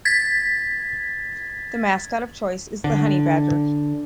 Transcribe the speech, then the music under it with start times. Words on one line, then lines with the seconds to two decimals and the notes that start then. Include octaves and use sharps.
The mascot of choice is the Honey Badger.
0.05 G#6 A6 B6
2.84 D3